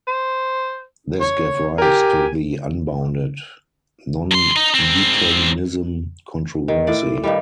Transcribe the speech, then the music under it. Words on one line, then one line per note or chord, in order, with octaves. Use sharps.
This gave rise to the Unbounded nondeterminism controversy.
C5
C#5
G4 A#4 G#5
E2 C6
D#4
G#2 C4
D#3
A2 D5
G2 D#3 G3